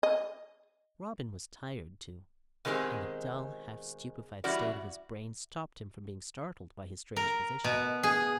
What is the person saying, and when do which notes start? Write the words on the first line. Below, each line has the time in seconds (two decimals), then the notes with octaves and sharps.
Robin was tired too, and the dull, half-stupefied state of his brain stopped him from being startled by his strange position.
0.03 D#5
2.65 B2 D#3 G#3 C4 G4 G#4
4.44 E3 G3 C#4 E4 F#4 D5
7.16 A#4
7.64 B2
8.03 G#4